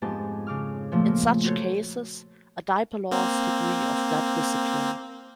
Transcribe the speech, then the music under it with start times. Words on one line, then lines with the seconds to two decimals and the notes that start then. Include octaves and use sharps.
In such cases, a dipelor's degree of that discipline.
0.02 F2 G#2 B3 G4 A5
0.47 C#3 D6 F6
0.92 A#2 F3 A3
1.07 A#3
1.45 F#4 A4 C5 C#5
3.11 A#3 C4